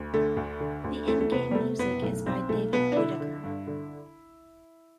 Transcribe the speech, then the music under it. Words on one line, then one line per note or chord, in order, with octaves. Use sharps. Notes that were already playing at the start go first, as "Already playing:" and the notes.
The in-game music is by David Whittaker.
Already playing: D2
D3 A3
D2
D3
D2
E2 A3
A3
C3 B3
G3
C3 A3
F#1 B3
B1 A3
B1 C4
B1 A3
B2 B3
D4
D3 E4
D3
G2
D3